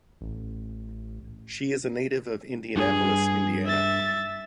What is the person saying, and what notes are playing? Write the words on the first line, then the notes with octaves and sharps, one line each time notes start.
She is a native of Indianapolis, Indiana.
A1
G2 G#4
E5 A6